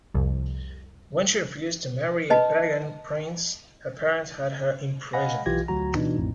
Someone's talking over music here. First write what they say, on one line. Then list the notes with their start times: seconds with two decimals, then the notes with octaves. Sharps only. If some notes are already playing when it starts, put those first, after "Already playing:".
When she refused to marry a pagan prince, her parents had her imprisoned.
0.14 C2 F2
2.30 B4 D#5 A5 B5
5.13 D#5 F5 F#5 G#5 B5 A#6
5.46 B1 E3 F4 G4 G#6 A#6
5.68 D2 F#3 F#4 A#5
5.95 B2 E3 D4 D#4
6.19 A#1 F2 A2